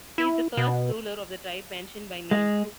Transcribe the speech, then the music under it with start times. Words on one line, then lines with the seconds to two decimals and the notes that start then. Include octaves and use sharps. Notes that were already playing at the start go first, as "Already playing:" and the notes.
He is the first ruler of the tribe mentioned by name.
0.18 E4
0.57 B2
2.31 G#3